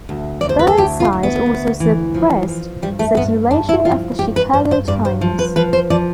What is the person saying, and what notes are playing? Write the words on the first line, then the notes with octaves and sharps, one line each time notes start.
Burnside also suppressed circulation of the "Chicago Times".
D2
D2 D5
C5
B4
A4
D2 G4
F4
D2
B3
D2
E3
F3
F3
G2 G3
A3
G2 B3
G2 D4
E4
F3 F4
G2 G4
B4
G2 C5
C5
G2 D5
C5
F3
B4
F3 B4
C5
F3 D5